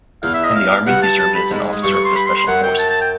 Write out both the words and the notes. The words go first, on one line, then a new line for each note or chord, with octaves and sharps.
In the Army he served as an officer in the special forces.
E2 E3 F5
E5
D#5
F5
G2 G3 F#5
A5
A5
B5
G#2 G#3
G#3
G2 G3 C#6
C#6
C6
B5
C6
C6
F#2 F#3 F#5
G5
A5
A5
G5